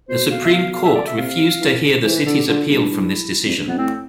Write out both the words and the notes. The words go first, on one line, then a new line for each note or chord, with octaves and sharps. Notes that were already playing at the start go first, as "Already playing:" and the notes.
The Supreme Court refused to hear the city's appeal from this decision.
B2 C5
F5
E5
F5
F5
E5
D5
E5
C3 F5
E3
E3 C5
B4
D3 A4
G4
D3 F4
G2 E4
F2
G2
F2 B3
A2 C4